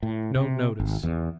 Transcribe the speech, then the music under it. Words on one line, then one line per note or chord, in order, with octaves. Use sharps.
No notice.
A2
C3
G#1
E2